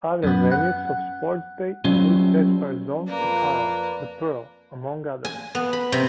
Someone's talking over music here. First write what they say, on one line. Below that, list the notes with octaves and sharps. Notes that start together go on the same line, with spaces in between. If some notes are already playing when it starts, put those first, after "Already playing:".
Other venues of sports day include Aspire Zone, Katara, The Pearl, among others.
F#2 B3
F#5
F#3 G3 A3 C4 C#4 F4
F2 A#3 B4 D5
G#5
B3
B5
C3